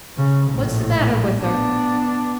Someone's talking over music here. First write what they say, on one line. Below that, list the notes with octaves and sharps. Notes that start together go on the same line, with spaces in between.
What's the matter with her?
C#3
A#1 A2
B3 D4